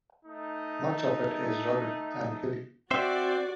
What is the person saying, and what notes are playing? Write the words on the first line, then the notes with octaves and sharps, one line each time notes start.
Much of it is rugged and hilly.
A3 D#4
C4 F#4 C5 D5 E5